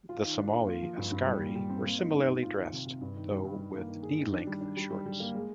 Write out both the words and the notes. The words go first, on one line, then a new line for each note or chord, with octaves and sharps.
The Somali ascari were similarly dressed, though with knee length shorts.
F4
D#3
D4
A#3
F4
F3
G2
G2
G3
A#2
G3
C4
A#3
D#4
G#2
G#2
F4
D#3
C3
C3
G2
D#3
G3
G2
D#3
A#3
D#3
G#4
D#3
D4
G3
D4
G3
G3
G3
A#3
G#3